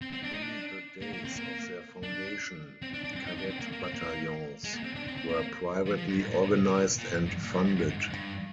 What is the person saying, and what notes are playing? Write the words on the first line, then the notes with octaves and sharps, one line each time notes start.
In the days of their foundation, Cadet battalions were privately organized and funded.
C4
C4
D4
D#4
D4
A#3
A#3
C4
A#3
D4
C4
D4
D4
C4
D#4
D4
C4
A#3
A#3
C4
A#3
G#3
A#3
C4
D4
C4
C4
A#3
F3
F3
G2
G#2
A#2
A#2
C3
A#2
A#2
G#2
G2
A#2
G2
G2
G#2
G#2
G#2
G2